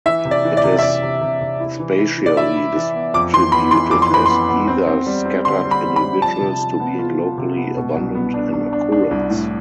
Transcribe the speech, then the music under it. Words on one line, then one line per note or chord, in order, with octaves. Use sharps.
It is spatially distributed as either scattered individuals to being locally abundant in occurrence.
E3 E5
C3
D5
E3
D5
C3
E5
C3 D5
C3
C3
C3
E4
E3
E4
E3
D5
E4 E5
E4
E3
B3
F2 D6
E3 C6
B3 B5
E3 C6
F2 D6
C6
E3 B5
B3 C6
B3
C4
C4
G3
C4
D3 C6
G3
B5
C4
B5
G3
F3 A5
C3
F3
B3
F4
F4
C3
B3
B2
C2
B3
D4
D4
D4
D4
C2
A2